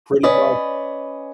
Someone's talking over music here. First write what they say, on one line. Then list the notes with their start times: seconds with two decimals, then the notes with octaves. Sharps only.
Pretty much
0.23 C#4 B4 D5 D#5